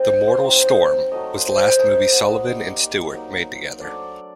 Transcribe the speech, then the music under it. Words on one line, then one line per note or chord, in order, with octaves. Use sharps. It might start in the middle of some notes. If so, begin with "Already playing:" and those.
"The Mortal Storm" was the last movie Sullavan and Stewart made together.
Already playing: G3 A#3 C4 D#4 D#5 G5
D#6
C6
F#3 C4 D#4 G5
D#5
F#3 A3 D#4 D#5
C5
D#5
G3 A#3 D#4 D#5
F#5
G3 A#3 D#4
F#3 A#3 D#4
F#3 A3 D4 D5